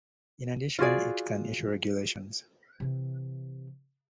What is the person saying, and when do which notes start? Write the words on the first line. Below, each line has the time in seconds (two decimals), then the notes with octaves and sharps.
In addition, it can issue regulations.
0.79 F4 F#4 G#4 D5
2.80 C3 E3